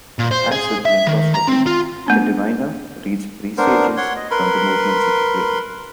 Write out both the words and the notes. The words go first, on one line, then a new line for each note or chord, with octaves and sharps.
As with Lychnoscopy, the diviner reads presages from the movements of the flame.
A#2
C5
G#4
E5
D#3
A#5
C4
F4
A3 B3 D4
B3 D4 A#4 C5
C#5 F#5 C6
D#5
A#4 B4 B5 C6